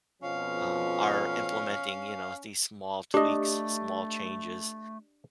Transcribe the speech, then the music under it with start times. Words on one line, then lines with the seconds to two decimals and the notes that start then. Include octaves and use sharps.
um, are implementing, you know, these small tweaks, small changes,
0.23 F2 B2 F3 C#4 F5
3.14 A3 D4 G4 D#5